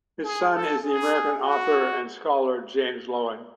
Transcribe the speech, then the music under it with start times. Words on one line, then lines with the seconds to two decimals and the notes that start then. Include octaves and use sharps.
His son is the American author and scholar James Loehlin.
0.24 G#4
0.53 A4
0.83 G#4
1.41 F#4